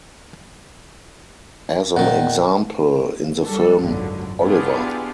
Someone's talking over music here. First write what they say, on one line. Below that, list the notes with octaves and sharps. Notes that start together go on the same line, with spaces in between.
As an example, in the film Oliver!
A#2 D#3 F#5
G3 D4 A4
G#1 C#2 F#2 D3 F#3
B3 D4 E4 F4 G4 G#4